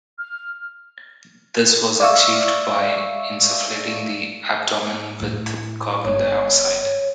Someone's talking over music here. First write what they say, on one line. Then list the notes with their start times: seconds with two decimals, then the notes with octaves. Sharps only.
This was achieved by insufflating the abdomen with carbon dioxide.
0.19 F6
2.00 D5 E5 F5 C#6 E6
5.22 A2
6.05 G1 C#5